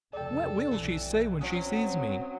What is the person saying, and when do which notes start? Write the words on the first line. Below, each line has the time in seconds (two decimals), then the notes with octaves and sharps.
What will she say when she sees me?
0.13 F1 C#2 A4 D5 G5
0.71 B1 E3
1.41 F#3 C4 C#4 D#6